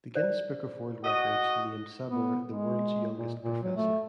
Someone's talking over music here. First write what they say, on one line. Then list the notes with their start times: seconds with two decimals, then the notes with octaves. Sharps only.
The "Guinness Book of World Records" named Sabur the World's Youngest Professor.
0.15 C5 D5
1.03 F#4 D#5
2.11 B3
2.48 G#3
3.16 A#2
3.42 A#2
3.63 F#3
3.77 A3